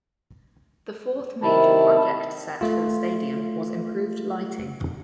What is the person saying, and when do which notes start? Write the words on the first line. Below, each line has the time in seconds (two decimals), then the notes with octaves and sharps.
The fourth major project set for the stadium was improved lighting.
1.43 C3 D#3 E4 A5
2.61 A3 F4